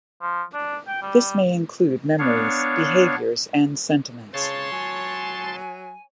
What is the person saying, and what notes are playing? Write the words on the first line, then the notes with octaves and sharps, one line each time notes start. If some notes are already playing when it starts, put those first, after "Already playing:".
This may include memories, behaviors and sentiments.
F3
D4
G5
G3
B3 D4 C#5 F5
C#3 C#5 A5 C6
F#3 G#5